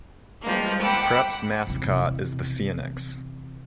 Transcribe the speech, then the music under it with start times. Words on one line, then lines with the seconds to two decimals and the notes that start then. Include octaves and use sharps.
Prep's mascot is the Phoenix.
0.40 F3 G3 G#3 A#3
0.80 F#5 G5 B5 D6 E6
1.67 E2 C3